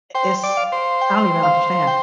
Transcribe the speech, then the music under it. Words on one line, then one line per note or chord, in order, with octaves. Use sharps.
Eh is I don't even understand.
C5 G5
D5
F5
C5
G5
F5
G5